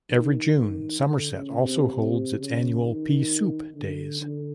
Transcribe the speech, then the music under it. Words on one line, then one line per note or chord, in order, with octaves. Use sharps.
Every June, Somerset also holds its annual Pea Soup Days.
D#3
D#3
D3
C#3
C3
C3
C#3
D#3
D3
D3